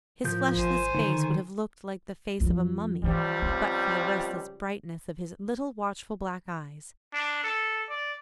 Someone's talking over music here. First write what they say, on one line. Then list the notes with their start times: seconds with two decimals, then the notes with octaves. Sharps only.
His fleshless face would have looked like the face of a mummy, but for the restless brightness of his little watchful black eyes.
0.24 A2 F3 A#4 G6
0.56 G#1 C5 G#5
0.95 D3 D#3
2.40 F2 F3
3.04 C#2 E3 F3 G3
3.42 C4
7.13 D4
7.44 A4
7.89 D5